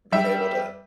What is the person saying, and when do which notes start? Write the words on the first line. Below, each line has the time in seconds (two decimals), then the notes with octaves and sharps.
being able to
0.12 G3 E5